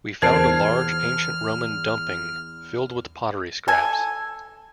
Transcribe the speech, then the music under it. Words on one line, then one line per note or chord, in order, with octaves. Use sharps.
We found a large ancient Roman dumping filled with pottery scraps.
E2 A#4 C5 A5 F6 G#6 C7 D7
A4 G#5